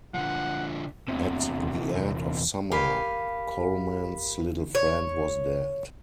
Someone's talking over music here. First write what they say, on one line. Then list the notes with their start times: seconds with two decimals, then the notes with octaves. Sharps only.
At the end of summer, Colman's little friend was dead.
0.14 D3 F3 F#5
1.08 E2 C3
2.71 G4 A#4 F5 G#5 B5 B6
4.75 C#5